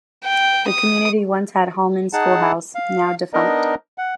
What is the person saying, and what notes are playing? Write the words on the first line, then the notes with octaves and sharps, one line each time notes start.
The community once had Holman Schoolhouse, now defunct.
G5
D#6
D#4 G#4 F#5 A5
F5
B3 D4 D#4 A#4 D#5
F#5